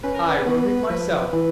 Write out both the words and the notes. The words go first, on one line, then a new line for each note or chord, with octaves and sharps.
"I wrote it myself."
C#4 B4
A#4
B4
B3
F3 B4
E3